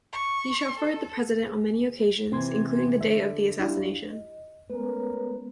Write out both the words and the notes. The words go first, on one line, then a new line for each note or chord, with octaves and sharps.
He chauffeured the president on many occasions, including the day of the assassination.
C#6
A4
G#4
C3 E3 C4 C6 G#6
D3 E5
G3 D4 E4 F4 G4
D#5
G#3 A3 B3 C#4 A#4 B4